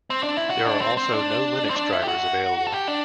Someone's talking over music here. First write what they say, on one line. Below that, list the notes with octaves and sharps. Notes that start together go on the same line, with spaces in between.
There are also no Linux drivers available.
C4
D4
E4
F#4
D4
C4
C4
D4
C4
D4
E4
G4
F#4
A4
G4
D4